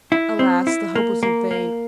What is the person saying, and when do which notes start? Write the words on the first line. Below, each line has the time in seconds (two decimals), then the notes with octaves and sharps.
Alas! the hope was vain.
0.12 E4
0.39 C4
0.67 E4
0.95 A#3
1.23 A#3
1.51 A#3